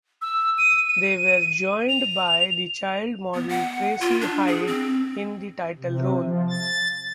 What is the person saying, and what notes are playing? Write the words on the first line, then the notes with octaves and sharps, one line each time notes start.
They were joined by the child model Tracy Hyde in the title role.
E6
D#7
D#7
F7
B3
F#5
F4
D4
G#4
C4
C3
F3
A6